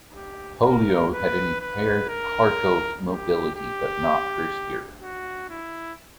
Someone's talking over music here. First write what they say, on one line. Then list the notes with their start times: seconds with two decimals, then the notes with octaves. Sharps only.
Polio had impaired Hartel's mobility but not her spirit.
0.15 G4
0.64 A#4
1.12 B4
1.61 B4
2.09 A#4
3.07 G4
3.55 G4
5.02 F#4
5.50 E4